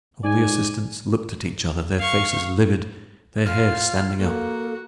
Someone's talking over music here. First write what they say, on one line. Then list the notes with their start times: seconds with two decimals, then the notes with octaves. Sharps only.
All the assistants looked at each other, their faces livid, their hair standing up.
0.24 G#2 D5 G#5
1.98 F5 C#6
3.46 F4 F5 F6
4.19 A#3 F#4 A4